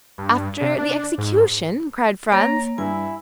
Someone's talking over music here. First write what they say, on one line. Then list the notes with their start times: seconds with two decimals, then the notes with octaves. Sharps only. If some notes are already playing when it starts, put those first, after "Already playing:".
"After the execution?" cried Franz.
0.18 G2
0.61 C3
0.78 D4
1.18 G#2
2.32 A#3 C#5 A#5
2.78 G2 E4 G#5